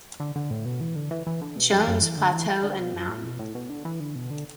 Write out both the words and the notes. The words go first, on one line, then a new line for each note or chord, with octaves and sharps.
Jones Plateau and Mt.
D3
D3
A2
B2
E3
D3
E3
E3
D3
B2
F#2
E2
F#2
E3
D3
E3
D3
B2
F#2
A2
B2
A2
B2
D3
E3
D3
B2
D3